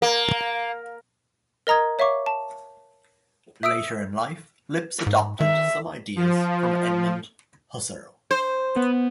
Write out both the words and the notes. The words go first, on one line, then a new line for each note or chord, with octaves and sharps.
Late in life, Lipps adopted some ideas from Edmund Husserl.
A#3
A#4 D#5 A#5 D#6 G#6
C#5 E5 F5 C#6 D6
A5
E5 D#6 E6 D7
G#2
D#3 E5
F3
C5
B3